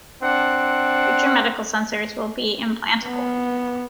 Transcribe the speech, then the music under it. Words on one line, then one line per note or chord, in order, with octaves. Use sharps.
Future medical sensors will be implantable.
C4 D4 F#5
B3